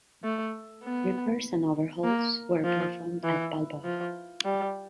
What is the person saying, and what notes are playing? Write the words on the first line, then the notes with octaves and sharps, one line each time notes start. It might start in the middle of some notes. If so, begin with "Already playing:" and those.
Repairs and overhauls were performed at Balboa.
A3
B3
A#3
F3
E3
F3
G3